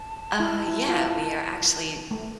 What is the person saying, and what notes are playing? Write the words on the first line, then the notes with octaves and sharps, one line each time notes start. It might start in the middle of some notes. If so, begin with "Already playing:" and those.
Uh, yeah, we are actually
Already playing: A5
E4
E4
F4
E4
A3